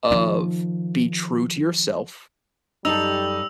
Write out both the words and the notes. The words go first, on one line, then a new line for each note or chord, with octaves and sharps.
of, "Be true to yourself
D#3 F3
F#2 G3 D#4 G4 A4 E6 F7